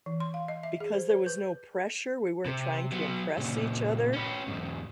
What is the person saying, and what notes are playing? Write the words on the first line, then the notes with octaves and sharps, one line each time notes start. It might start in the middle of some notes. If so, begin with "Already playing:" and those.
because there was no pressure, we weren't trying to impress each other,
E3
C6
F5
D#5
E5
G#4
C5
C5
B4
C3
F#3 B3
A#2 C#3
C#4 B4
E2 G#2